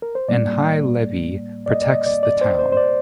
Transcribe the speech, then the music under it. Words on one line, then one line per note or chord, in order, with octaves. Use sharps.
An high levee protects the town.
A#4
C5
A2 G3 A#3 D5
D5
D#5
D5
D#5
D5
D5
C5
C5
C5
D5